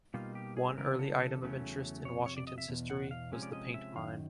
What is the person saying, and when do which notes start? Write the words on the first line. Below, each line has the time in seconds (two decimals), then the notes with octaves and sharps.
One early item of interest in Washington's history was the "paint mine".
0.14 B2 G3 A#3 D#4 F4
0.35 G4
0.57 G#4
0.78 C#3 E3 G3 B3 A#4
0.99 A4
1.20 A4
1.41 E2 C#3 F#3 A3 C#4
2.05 F2 C3 C#5
2.26 C#5
2.37 D5
2.47 D#5
2.58 E5
2.69 E2 B2
2.90 F#5
3.11 F5
3.32 C3 F3 G#3 C#4
3.42 D5
3.53 D#5
3.74 E5
3.95 F#2 D#3 F5